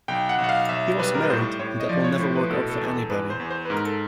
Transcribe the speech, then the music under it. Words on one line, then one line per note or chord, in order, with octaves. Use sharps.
He was married, and that will never work out for anybody.
B1 G5
F#5
B1
F#5
F5
B1 E5
G3 B4
A#4
B4
A2 C5
A2 C#5
D#5
F3 D5
C#5
A2 C5
B4
B2 A4
A4
E2
A4
E2 B4
C5
E2
C5
B4
G#2 A#4
A4